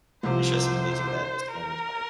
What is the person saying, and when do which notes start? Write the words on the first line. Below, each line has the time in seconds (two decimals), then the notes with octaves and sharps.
it's just amazing that that's the only time
0.23 C2 C3 F3 C5
1.48 A#4